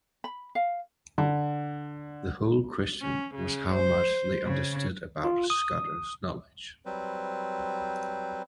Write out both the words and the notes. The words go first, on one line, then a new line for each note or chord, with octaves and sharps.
The whole question was how much they understood about Scudder’s knowledge.
B5
F5
D3
C#4
C#3
C5
C#3
F4
D#6
F#3 G3 C4 B4 C5